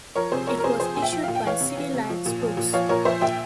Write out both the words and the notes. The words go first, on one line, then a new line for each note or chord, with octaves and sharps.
It was issued by City Lights Books.
F3 A#4 C#5
C3 G#4 C5
F3 A#4 C#5
A#4
C3 G#4 C5
F3 G#4 C5
A#2 G#5
E5 G5
F3
A#2 F5
G5
E3 C#5 F5
C3
E3
C3
F3
A#2
F3
A#2
F3 C#5 F5
A#2 A#4 C#5
F3 C5 E5
A#2 E5 G5